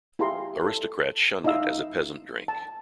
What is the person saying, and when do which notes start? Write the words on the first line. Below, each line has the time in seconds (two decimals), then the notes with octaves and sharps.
Aristocrats shunned it as a peasant drink.
0.19 E4 G4 G#4 F5 A#5 C6
0.64 A4
1.44 D#4 E4 D#5 F5 E6
2.48 A5